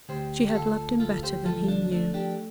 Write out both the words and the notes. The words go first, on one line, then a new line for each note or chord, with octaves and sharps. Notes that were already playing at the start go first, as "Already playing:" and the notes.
She had loved him better than he knew.
D2 G4 C5
G4
D2 F4 A4
D2 F4 A4
G4 C5
F3 F4 A4
D4
A3 D4
D4 G4